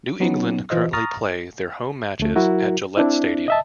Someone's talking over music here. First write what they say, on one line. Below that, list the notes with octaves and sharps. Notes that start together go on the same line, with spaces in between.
New England currently play their home matches at Gillette Stadium.
F#3 B3 C#4 D#4
E3 F4 C5 D#5
A#5 C#6 D#6 F6 A6 A#6
D2 A3
F#3 E4 F#4 A#4
C4 D4 E4
D#5 E5 A5